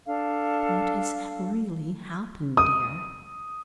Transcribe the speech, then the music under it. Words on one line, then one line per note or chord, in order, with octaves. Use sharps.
What has really happened, dear?
D4 A4 F5
D#6